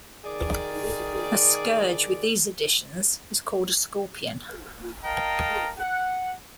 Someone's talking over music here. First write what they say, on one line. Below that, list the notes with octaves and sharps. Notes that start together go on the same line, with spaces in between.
A scourge with these additions is called a scorpion.
D#3 G#4 D5
A#4 D#5 F5 G5 A5 A#5
F#5